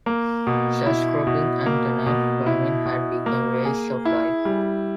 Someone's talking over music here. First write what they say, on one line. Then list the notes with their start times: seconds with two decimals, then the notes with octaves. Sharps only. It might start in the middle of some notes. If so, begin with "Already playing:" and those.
Sharecropping and tenant farming had become ways of life.
0.06 A#3
0.47 B2
0.86 E4
1.27 B2
1.66 A#3
2.06 B2
2.46 E4
2.86 B2
3.26 A#3
3.65 G#4
4.05 E4
4.45 G3